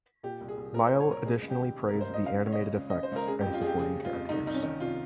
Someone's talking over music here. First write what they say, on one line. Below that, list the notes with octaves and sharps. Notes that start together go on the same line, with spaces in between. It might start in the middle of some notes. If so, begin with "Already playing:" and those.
Lyle additionally praised the animated effects and supporting characters.
A#2 G4
C2
G#4
C2
A#2 A#4
C5
A#2
C#5
C2 A#4
C#2 G#4
C#2
G4
D#3
C3
A#4
C#2
C5
C#2 D#5
C#3 F5
C#2 C#5
D#5
C#2
C#3
D#5
C#3
C5
C#2 A#4
C#3 G#4
G4
F2
F4
F2 G4 G#4
C#3 G#4
C#3
F4
F2
C2 D#4
C2 D#4
C#4
D#3
C3 F4